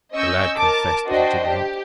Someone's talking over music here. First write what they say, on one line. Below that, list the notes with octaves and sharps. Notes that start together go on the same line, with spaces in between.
The lad confessed that he did not.
C#4 D#5 C#6 E6 G6
A#4 A5 D6
D4 F#4 C5 D#5 G5
G4